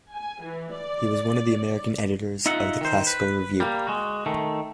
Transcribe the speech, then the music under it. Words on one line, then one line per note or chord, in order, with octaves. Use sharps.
He was one of the American editors of the "Classical Review".
G#5
E3
D5
D#4 F4 E5 F#5
D#3 C5
B4
G3 A#3
G#3 F#4
D#3 A3